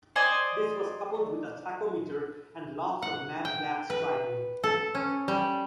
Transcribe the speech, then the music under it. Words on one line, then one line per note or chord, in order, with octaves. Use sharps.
This was coupled with a tachometer and lots of matte black striping.
C5 D5 D#5 G#5
F#5
G5
B4
A4
C#4
G3